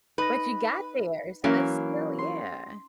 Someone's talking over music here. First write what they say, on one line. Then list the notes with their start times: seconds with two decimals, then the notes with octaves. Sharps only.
But you got there, so that's still yeah.
0.18 D#4 B4 A#6
1.44 E3 F#3 A#3 C#4
2.18 C6